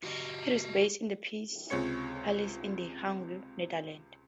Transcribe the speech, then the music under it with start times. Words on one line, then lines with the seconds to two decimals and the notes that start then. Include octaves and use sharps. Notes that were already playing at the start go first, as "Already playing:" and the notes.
It is based in the Peace Palace in The Hague, Netherlands.
0.03 F#4 G4 D#5
1.70 C#2 C3 G#3 C#5 C#7